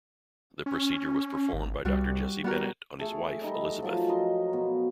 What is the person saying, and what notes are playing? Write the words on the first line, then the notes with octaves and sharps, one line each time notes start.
The procedure was performed by Doctor Jesse Bennett on his wife Elizabeth.
C#4
G#1
C2 G3 F#4
G3 B3 F#4 A#4
A3 G#4 A4
G3 D#4 D#5
F3 F#3 A5
A#4 D#5 C6
B2